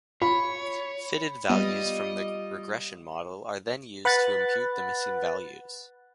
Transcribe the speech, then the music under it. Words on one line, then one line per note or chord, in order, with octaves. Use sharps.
Fitted values from the regression model are then used to impute the missing values.
F4 C#5 B5
G3 B3 F4 D#5
B4 F#5 B5 F#6 A6